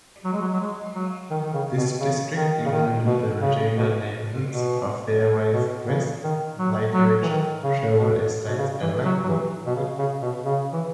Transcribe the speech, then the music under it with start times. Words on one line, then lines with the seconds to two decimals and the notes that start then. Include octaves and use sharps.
This district included the Regina neighbourhoods of Fairways West, Lakeridge, Sherwood Estates and Lakewood.
0.25 F#3
0.33 G#3
0.41 F#3
0.53 F#3
0.60 G#3
0.95 F#3
1.30 D#3
1.43 D#3
1.53 C#3
1.77 B2
2.00 C#3
2.36 D#3
2.66 C#3
2.71 D#3
3.06 B2
3.42 C#3
3.77 B2
4.47 B2
5.53 B2
5.88 C#3
6.23 D#3
6.59 F#3
6.93 F#3
7.23 E3
7.29 D#3
7.64 C#3
7.99 B2
8.47 B2
8.58 C#3
8.82 E3
9.05 F#3
9.24 F#3
9.28 E3
9.66 B2
9.76 C#3
9.99 C#3
10.22 B2
10.45 C#3
10.73 E3